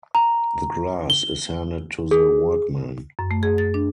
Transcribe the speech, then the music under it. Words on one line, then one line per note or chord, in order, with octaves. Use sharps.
The glass is handed to the workman.
A#5
G7
G#4
F#2
A3
G#4
A6
D4